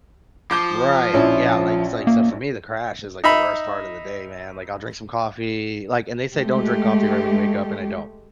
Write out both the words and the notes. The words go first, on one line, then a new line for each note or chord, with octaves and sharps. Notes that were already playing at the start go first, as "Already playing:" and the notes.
Right. Yeah, like, it's like so for me, the crash is, like, the worst part of the day, man, like, I'll drink some coffee, like and they say, "Don't drink coffee right when you wake up." And I don't,
F3 D6 G6
A#1 C#4 E4
A#3
D#4 E5 B5
G#3 A3 G4